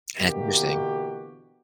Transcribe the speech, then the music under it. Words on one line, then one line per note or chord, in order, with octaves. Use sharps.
That's interesting.
B2 D3 E3 A#3 F#4 G4